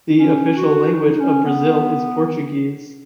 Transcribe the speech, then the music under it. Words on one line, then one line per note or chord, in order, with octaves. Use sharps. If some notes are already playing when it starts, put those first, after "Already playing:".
The official language of Brazil is Portuguese.
C#4
F#4
D#4
C#4
B3